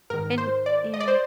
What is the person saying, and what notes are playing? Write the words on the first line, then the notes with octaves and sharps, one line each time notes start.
And yeah.
G#2 D#3 A#4
C5
D5
D#5
D5
C5